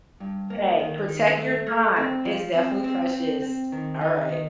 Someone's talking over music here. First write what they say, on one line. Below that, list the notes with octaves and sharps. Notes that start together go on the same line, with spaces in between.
hey, protect your time, it's definitely precious. All right,
G2
A#3
D#3
D#3
A3
A3
C4
F3
C4
C4
C4
C4
D#3
D#4
D#3